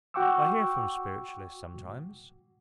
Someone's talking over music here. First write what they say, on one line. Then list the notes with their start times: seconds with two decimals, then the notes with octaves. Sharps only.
I hear from spiritualists sometimes.
0.14 F#4 F#5 G5 C#6 D6 E6